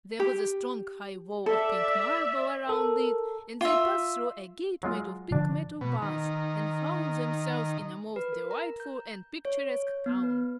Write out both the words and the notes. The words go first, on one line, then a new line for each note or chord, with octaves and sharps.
There was a strong high wall of pink marble around it and they passed through a gate made of pink metal bars and found themselves in a most delightful and picturesque town.
G4
A4 D5 E5
A4 A#4
F4 E5
F#3 G#3 F4
D3 F3 D4
B2
D#3
B4
A#4
A#5
G6
C#5
C#5
G6
B3
B4